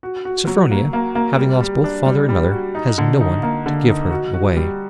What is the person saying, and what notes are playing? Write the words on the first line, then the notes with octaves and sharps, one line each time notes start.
Sophronia, having lost both father and mother, has no one to give her away.'
F#4
F#4
F#3
A#3
A#3
A#3
G3
G3
D4
G3
G3
F#4
D#4
D3
D#4
A#3
D3
D#4
F#4
F#4
G3